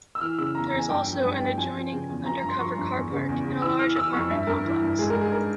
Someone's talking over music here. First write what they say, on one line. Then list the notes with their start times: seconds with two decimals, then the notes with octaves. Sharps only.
There is also an adjoining undercover carpark and a large apartment complex.
0.15 E6
0.21 E3 F6
0.38 C#3 E6
0.55 E2 A#5
0.67 A#5
0.73 E2
0.79 G#5
0.90 G2 G5
1.07 F3
1.24 G2
1.40 G2
1.58 F3 G#5
1.74 F3
1.92 C#3
2.09 E2
2.26 F3 A#5
2.37 A#5
2.43 G2
2.49 C6
2.60 F3 C#6
2.76 G2
2.94 E2
3.11 C#3
3.29 E2
3.45 C#3
3.62 E3 E6
3.79 E3 F6
3.96 E3 E6
4.13 F2 C#6
4.31 G2 E5
4.47 G2 A#4
4.65 E3
4.82 G2
4.99 G#2 G#4
5.10 A#4
5.15 G#2
5.21 G#4
5.32 A#4